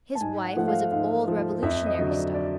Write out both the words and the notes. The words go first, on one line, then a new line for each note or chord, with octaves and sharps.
His wife was of old Revolutionary stock.
A5
G#2 G#5
F#5
F3 A3 F#5
F5
G#2 F5
F3 A3
F2 E5
D#5
D3 F#3
D5
D5